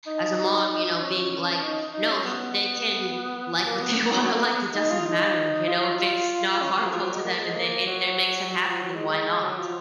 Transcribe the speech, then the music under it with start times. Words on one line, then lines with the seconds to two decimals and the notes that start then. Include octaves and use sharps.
as a mom, you know, being like, "No, y they can like what they wanna like, it doesn't matter, you know, if it's not harmful to them and they it it makes them happy, then why not?
0.06 D#4
0.69 D#4
0.84 D#4
1.00 C#4
1.62 D#4
1.93 D#4
2.09 C#4
2.24 B3
3.65 A#3
3.81 B3
4.12 F#3
4.22 F#3
4.33 A#3
4.43 B3
4.74 D#4
4.90 F4
5.05 D#4
5.67 F4
6.61 C#4
6.72 F3
6.82 F#3
6.92 F3
7.03 F#3
7.13 G#3
7.24 A#3
7.40 G#3
7.55 A#3
7.86 F#3
8.49 F#3
8.64 F3
8.79 F#3
8.95 G#3
9.42 F#3
9.58 F3